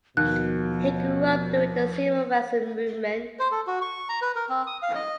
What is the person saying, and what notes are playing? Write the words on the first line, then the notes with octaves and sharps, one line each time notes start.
He grew up during the civil rights movement.
D#2 B2 F3 F#6
C5
A4
F#4
C#6
A#5
B4
A#4
C4
D#6
F5
D#5